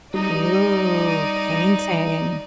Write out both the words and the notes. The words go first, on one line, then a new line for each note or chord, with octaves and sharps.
Ooh, painting.
G3 D#4 D5